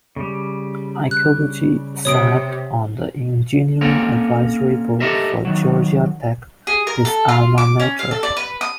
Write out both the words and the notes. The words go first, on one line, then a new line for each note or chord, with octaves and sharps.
Iacobucci sat on the engineering advisory board for Georgia Tech, his alma mater.
C#3 G3
F#6
C3 C#5 D#6 D7
A#3 C4 C#4 A4 A#4
G4 A4 A#4 C5 D#5 E5
D#3 F#3
G#4
A#4
A4
F4
D6
C#4
F5
A4
D5
B4
D#6